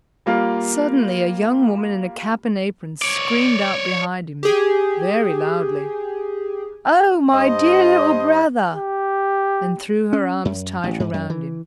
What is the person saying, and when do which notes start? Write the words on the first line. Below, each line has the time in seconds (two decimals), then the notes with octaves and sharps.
Suddenly a young woman in a cap and apron screamed out behind him very loudly: "Oh, my dear little brother!" and threw her arms tight around him.
0.26 G3 A#3 F4
3.02 C#5 D5
4.43 G4 G#4
7.33 G2 C5 D#5
8.74 G4
10.13 C#4
10.45 F#2
10.84 A1
11.00 G#2
11.13 F#2
11.30 E3